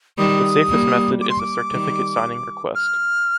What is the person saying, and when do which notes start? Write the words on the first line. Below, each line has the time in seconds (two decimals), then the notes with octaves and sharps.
The safest method is a Certificate Signing Request.
0.18 D#3 G3 D#6
0.69 G3 A#3
1.21 D6
1.29 C6
1.39 D6
1.72 D#3 G3
2.75 F6